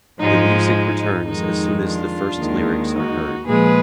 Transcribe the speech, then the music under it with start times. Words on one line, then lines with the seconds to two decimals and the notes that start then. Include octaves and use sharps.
The music returns as soon as the first lyrics are heard.
0.19 G#2 F3 G#3 D#4
0.73 D#4
1.28 F2 D#3 G#3 D#4
1.83 D4 F4
2.37 D#2 D#3 G#3
2.92 D#4 F#4
3.47 A#2 F3 G#3 G#4 B4